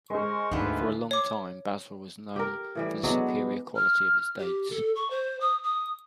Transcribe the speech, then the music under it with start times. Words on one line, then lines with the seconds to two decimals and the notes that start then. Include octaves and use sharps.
For a long time, Basra was known for the superior quality of its dates.
0.10 G#3 G#4 A#4 C5 C#6
0.51 D2 G#2 D3 G#3 F4 B4 E5
1.11 C#5 D6
2.36 G4 A#4
2.75 A2 E3 G3
3.03 F#3 G#3 B3 D4
3.76 F6
4.39 G4
4.70 A4
4.96 C#6
5.10 C5
5.40 D#6
5.64 D#6